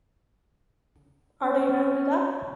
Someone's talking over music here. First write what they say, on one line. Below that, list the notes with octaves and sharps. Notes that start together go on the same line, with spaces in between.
Are they rounded up?
C#4